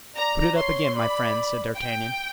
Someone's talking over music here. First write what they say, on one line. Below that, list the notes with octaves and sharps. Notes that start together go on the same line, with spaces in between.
"Put it up again, my friend," said D'Artagnan.
D5 A#5
C#5 C6
D5 B5
G5